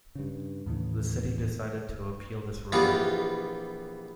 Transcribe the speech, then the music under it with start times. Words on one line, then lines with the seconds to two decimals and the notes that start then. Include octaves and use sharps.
The City decided to appeal this ruling.
0.15 G2 C#3
0.66 D#2 A2 C#3 E3
2.72 A#1 E3 G3 B3 F4